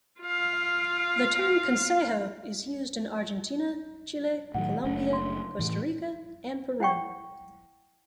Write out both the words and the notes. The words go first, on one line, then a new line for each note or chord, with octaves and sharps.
The term "consejo" is used in Argentina, Chile, Colombia, Costa Rica, and Peru.
F4 F5
A2 D#3 F#3 F#5
F#1 A3 D4
C6
A2 E3
E4 F#5 G5 C#6